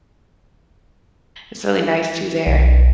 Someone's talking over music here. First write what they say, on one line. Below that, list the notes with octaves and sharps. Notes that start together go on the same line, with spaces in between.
It's really nice too there.
B1